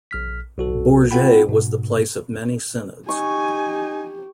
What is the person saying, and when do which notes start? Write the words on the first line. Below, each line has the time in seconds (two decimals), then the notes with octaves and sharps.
Bourges was the place of many synods.
0.11 A#1 F6 B6
0.58 B1 F#4 A4
1.11 C4 F4 A4 F#5 G5 B5
1.49 G#2 B2
3.09 D#4 G4 G#5 C#6